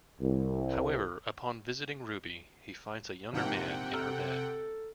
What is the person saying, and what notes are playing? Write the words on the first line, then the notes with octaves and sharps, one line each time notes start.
However, upon visiting Ruby, he finds a younger man in her bed.
C2
A#1 G#2 C3 A#3 F#5 G5
A4 A#5 E6 F6